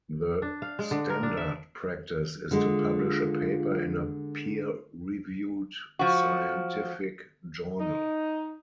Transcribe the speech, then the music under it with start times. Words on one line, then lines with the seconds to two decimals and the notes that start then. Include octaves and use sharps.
The standard practice is to publish a paper in a peer-reviewed scientific journal.
0.42 D4
0.62 F5
0.79 G#3
0.91 D3
1.10 A#4
1.23 D4
1.37 E5
2.51 D3 G#3 F4
5.99 F3 F#4
7.80 D#4